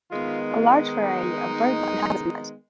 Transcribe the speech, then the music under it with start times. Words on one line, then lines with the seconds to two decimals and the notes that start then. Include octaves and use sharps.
A large variety of birdlife inhabits the reedbeds.
0.10 D#3 G#3 B3 F4
0.48 F4
0.86 D#4